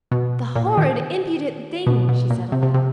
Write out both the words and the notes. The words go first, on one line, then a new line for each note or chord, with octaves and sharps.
"The horrid, impudent thing!" she said aloud.
B2
A#2
D#3
B2
B2
A#2
C3
C3
C3